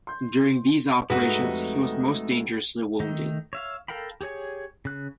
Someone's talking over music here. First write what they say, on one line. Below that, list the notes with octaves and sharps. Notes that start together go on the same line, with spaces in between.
During these operations he was most dangerously wounded.
C6 G6
G#2 G#3 A3 D#4 F#4 B4
F2 G4
D#3 A3 D#4
C#5 E5 F5
A4 A#4 F5 G5 B5
G4 G#4 C#5 G#5
C#3 F#6